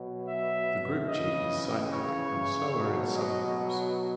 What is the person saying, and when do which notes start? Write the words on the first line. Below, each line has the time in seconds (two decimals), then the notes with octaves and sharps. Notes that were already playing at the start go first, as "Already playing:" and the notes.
The group "G" is cyclic, and so are its subgroups.
Already playing: B2 F#3
0.26 E5
1.09 C#3 E3 D#5
1.91 C#5
2.74 B2 F#3
3.15 D#5